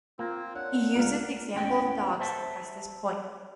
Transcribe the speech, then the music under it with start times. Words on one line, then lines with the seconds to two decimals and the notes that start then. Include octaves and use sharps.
He uses the example of dogs to press this point.
0.19 A#3 C4 F4
0.55 D4 C#5 F#5
0.95 C#2 A#4 F5
1.54 D#2 A2 C#4 G5
2.20 C5 E5 A5